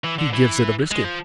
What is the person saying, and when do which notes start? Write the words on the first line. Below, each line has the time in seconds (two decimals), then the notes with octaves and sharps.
He give it a biscuit.
0.04 E3
0.18 D3
0.33 E3
0.91 G#3
1.04 F3